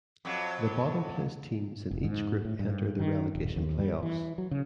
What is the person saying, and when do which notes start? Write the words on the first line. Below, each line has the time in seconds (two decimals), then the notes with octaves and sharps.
The bottom placed teams in each group enter the relegation playoffs.
0.25 F2 F#3
1.91 F1
2.04 G#2
2.45 A2
2.59 G2
2.99 D#3
3.35 D#1
3.56 D#2
3.79 G3
4.03 E3
4.38 F#3
4.51 C#3